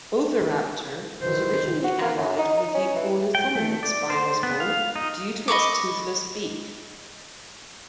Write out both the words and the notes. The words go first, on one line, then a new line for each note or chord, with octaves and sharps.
"Oviraptor" was originally allied with the ornithomimids by Osborn due to its toothless beak.
D#3 E3 C5
F#4
A#3
F#2
D#4
D#4
C#4
E3
G5
A3
D5
C5
B3
F5
D#4
D#5 B5 C#6 D6